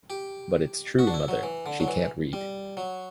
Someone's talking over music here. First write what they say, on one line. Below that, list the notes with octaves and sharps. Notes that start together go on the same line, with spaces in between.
But it’s true, mother — she can’t read.
G4
F#4
D4
E4
F#3
E3
D3
F#3
E3
G3
F#3